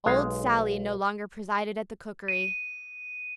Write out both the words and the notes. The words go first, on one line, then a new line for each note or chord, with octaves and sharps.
Old Sally no longer presided at the cookery.
B1 G#3 F5
D#7